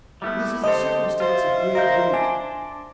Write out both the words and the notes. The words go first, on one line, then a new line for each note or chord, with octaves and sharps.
This is a circumstance of great weight.
G3 A3 B3 E4
D3 G4 A4 C5 D#5
F4 C5 E5
A#4 D#5 F5 G6
D4 G#5